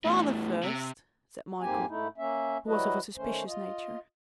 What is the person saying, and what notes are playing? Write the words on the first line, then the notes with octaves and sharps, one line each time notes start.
"Father first," said Michael, who was of a suspicious nature.
E2 A2
C3
F2 G#2 A#3 C4 G4 G#5
G#2 A3 D#4 E4
A#3 C#4 E5
F#3 G3 E4 F#4 B4 D#5
D#3 A3 C#4 C5
F4 D#5